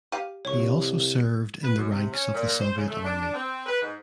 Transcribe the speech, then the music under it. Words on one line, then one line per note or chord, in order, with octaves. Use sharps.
He also served in the ranks of the Soviet Army.
G4 F5 D#7
C2 C#5 C#6
B4
F#2
C3
C#4
A#2
C5
C#3
A3
D4
C4
B4
G#2